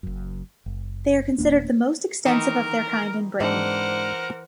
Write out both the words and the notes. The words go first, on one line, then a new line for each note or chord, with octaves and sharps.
They are considered the most extensive of their kind in Britain.
F#1 F#2
F#1
D#1 F2 A#3 D4
D#3 E3 D#4 A#4
G#2 E3 C4 D4 A#4 C5 F#5